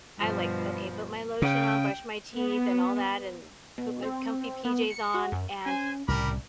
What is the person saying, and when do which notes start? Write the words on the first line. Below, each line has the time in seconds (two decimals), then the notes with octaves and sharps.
I like, okay, put my lotion on, brush my teeth and all that, and put my comfy PJs on and
0.19 G2 B2 F3
1.42 C#3 G5
2.35 B3
3.78 B2
4.03 C4
4.65 B3
4.90 C#7
5.14 F#4
5.32 F#2
5.66 C#4 C5 G#5
6.08 C2 A2 C#3 G3 A#4 B5 D6